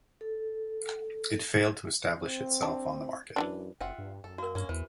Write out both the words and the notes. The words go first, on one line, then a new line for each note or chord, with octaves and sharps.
It failed to establish itself on the market.
A4
C4
D4
F#2 E3 C#4 D4
F#1 F4 E5 F#5 G5
G2
F#2 A4
A#3 F#4 A#4
G2 A#3 C#4
E2 E3 C5